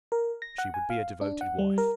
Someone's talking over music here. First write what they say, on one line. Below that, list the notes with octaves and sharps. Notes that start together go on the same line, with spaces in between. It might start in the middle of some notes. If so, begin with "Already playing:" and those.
She would be a devoted wife.
A#4
A#6
F#5
G#5
F5
D4
F#5
G3
A#4